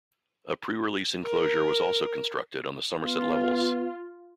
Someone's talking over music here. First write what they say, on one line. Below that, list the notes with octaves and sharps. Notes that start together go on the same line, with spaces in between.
A pre-release enclosure was also constructed on the Somerset Levels.
A#4
B3 F4